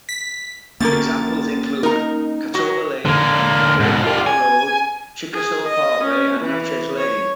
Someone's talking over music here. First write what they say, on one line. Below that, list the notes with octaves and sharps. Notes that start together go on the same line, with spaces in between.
Examples include Catawba Lane, Iroquois Road, Chickasaw Parkway, and Natchez Lane.
B6
F#2 D3 A#3 C#4 A#4 A6
D#4 A#4 A#5
F#3 F#4
D3 A#3
G#2 B2
F4 G4
G#5
G#4
D#5
C#4
E3
C#5